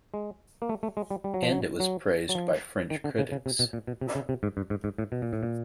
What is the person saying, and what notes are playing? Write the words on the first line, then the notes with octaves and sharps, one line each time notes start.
And it was praised by French critics.
G#3
A#3
A3
A3
G#3
G3
G3
F#3
F3
F#3
F#3
F#3
F3
D#3
D3
C#3
C#3
C3
B2
A#2
B2
C3
C#3
C3
G#2
G2
G#2
G#2
A2
B2
A#2
A2
A#2